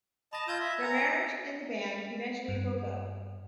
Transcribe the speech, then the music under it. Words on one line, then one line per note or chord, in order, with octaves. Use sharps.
Their marriage and the band eventually broke up.
D#5 A5 B5 A#6
F4 E6 G6 G#6 A#6
E5
G#5 A#5
G2